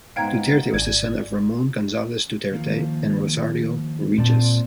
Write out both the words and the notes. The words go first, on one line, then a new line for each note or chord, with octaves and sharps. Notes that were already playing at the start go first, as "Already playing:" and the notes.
Duterte was the son of Ramon Gonzales Duterte and Rosario Regis.
G#2 B3 B4 C5 F5 G5 A#5 G#6
G#1 D5 G#5 G#6
D#3 F3 A#3
A#2 C4 D5 A5